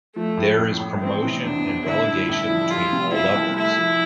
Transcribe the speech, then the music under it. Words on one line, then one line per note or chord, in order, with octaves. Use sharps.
There is promotion and relegation between all levels.
F3 A3
A2
A1
A1
E3 C4
C3
E2 D4
E2
D3 E4
G2
A1 E4
F3
G3 F4
C3
C2 E4
C2
A3 E4
F3